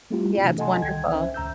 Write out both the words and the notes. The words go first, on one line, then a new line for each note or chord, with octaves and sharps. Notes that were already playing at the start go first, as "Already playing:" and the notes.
Yeah, it's wonderful.
G3 A3 C4 E4 F4 G4
C3 E3 D4
A4 D#5 F#5 G#5 A5 C6
C2 D#3 G5 G#6
C#4 C5 E5
C#2 A#5 E6 G6